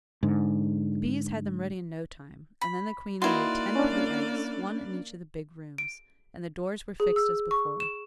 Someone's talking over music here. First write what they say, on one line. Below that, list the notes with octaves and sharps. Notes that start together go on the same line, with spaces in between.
The Bees had them ready in no time, and then the Queen laid ten pretty eggs, one in each of the big rooms, and the doors were fixed as before.
G#2 D3
B5
A#3 D#4 E4 F#4 B4 D5 C6
C#4 D4
D7
G#4
E6
C#6
E7